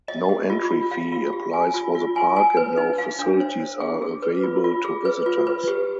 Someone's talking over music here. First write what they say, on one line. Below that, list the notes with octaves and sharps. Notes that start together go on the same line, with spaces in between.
No entry fee applies for the park and no facilities are available to visitors.
D#5
G4
F4
F4
F5
F4
G4
G#5
F4
F4
G#5
G#5
B4
D#4
F5
D4
C5
C5
G#4
G#4
B4
F4
F4
G#4
B4
F4
B4
G4